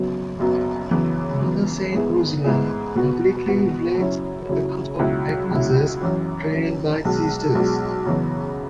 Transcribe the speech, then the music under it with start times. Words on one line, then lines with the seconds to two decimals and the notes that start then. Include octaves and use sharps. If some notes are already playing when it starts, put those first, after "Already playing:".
Mother Saint Ursula publicly relates the account of Agnes's trial by the sisters.
Already playing: F#1 F#2 F#3 B3
0.39 F#1 F#2 F#3 B3
0.91 F#2 C#3 E3 B3
1.41 F#2 C#3 E3 B3
1.93 G#2 G#3 B3 E4 G#4
2.44 G#2 G#3 B3 E4 G#4
2.95 B2 B3 F#4
3.46 B2 B3 F#4
3.98 F#2 C#3 F#3 C#4 E4
4.49 F#2 C#3 F#3 C#4 E4
4.99 C#2 B2 F#3 E4
5.51 C#2 B2 F#3 E4
6.02 F#2 E3 C#4
6.53 F#2 E3 C#4
7.05 B1 B2 G#3
7.55 B1 B2 G#3
8.06 F#2 C#3 E3 B3 F#4